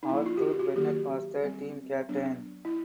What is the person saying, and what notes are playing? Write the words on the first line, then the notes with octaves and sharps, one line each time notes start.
Arthur Bennett was the team captain.
D#4
F3 A#3 C#4 E4
F4
G4
F#4
F#4
D#3 F#3 A#3 G4
G3 C4
F#3 B3 D4
E4